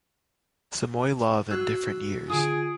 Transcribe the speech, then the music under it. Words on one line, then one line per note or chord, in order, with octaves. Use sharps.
Samoylov in different years.
F#4 E6 F#6
D3 F4 G#4 D#6 D7